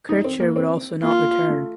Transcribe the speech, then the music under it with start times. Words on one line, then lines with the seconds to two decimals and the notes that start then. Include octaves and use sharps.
Kircher would also not return.
0.09 D#4
0.24 C4
0.40 A#3
0.56 C4
1.03 A#3 F4
1.49 A3